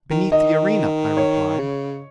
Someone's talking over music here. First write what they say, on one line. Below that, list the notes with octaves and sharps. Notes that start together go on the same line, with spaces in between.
"Beneath the arena," I replied.
D#3
D#3 D#5
C#5
C#3